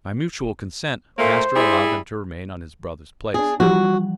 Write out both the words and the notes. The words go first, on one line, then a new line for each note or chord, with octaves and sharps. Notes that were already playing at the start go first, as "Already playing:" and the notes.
By mutual consent master allowed them to remain on his brother's place.
A#2 A3 A#3 C5
G3 E4 G#4
D4 G#4
E3 F3 G3 F#4